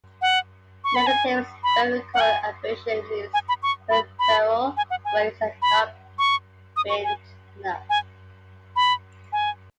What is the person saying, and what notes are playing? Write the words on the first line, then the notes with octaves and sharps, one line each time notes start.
"Negative" spherical aberration means peripheral rays are not bent enough.
F#5
C#6
B5
G#5
B5
F#5
G#5
G#5
B5
C#6
B5
B5
G#5
F#5
G#5
B5
C#6
D#6
C#6
G#5
G#5
B5
G#5